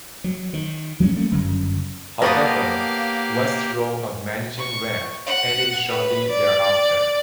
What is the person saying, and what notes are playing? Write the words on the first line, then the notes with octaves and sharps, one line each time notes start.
However, West's role of managing Red ended shortly thereafter.
F#3
D#3
F#3 G#3 A#3 C#4
A3 A#3 C#4
G1 F#2 C#3 F#3
A#3 B3 G4 A#4 C#5 D#5 F5 A5
C#6
F#5
B4
D5